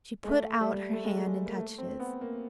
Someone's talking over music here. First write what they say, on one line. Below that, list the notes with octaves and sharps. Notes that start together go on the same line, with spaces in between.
She put out her hand and touched his.
G#3
A3
G3
A3
G#3
G3
G#3
A#3
A3
C4
B3
A#3